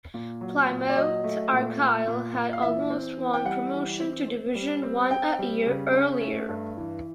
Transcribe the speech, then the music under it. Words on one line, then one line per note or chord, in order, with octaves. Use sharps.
Plymouth Argyle had almost won promotion to Division One a year earlier.
A#2
F#3
A#2
D5
F#3 D#5
A3
A#2
A#2
A#2
A#2
F5
E3 E5
C4
E3
G5
G3 F#5
E3
C4
C4
G3
C4
C4 G5
G3
C#3
C#4
A3
G2
E3